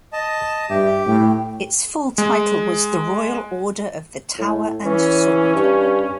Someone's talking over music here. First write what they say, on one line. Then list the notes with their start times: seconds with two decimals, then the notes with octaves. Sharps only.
Its full title was "the Royal Order of the Tower and Sword".
0.13 D#5 A5
0.70 G2 G4 E5
1.07 A2 G5
2.18 G#3
4.39 A2
4.85 E3 C#4
5.55 G2